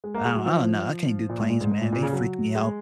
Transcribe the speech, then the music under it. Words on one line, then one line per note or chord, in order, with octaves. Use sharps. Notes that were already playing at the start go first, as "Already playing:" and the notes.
I don't I don't know. I can't do planes, man. They freak me out.
G#3
A#3
G#3
F#3
F3
A#2
G#2
A#2
G#2
G#2
A#2
A#2
C#3
F#3
G#3